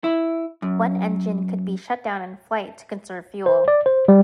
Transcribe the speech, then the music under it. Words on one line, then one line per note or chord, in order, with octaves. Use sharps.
One engine could be shut down in flight to conserve fuel.
E4
F#2
C5
D5
C5
G3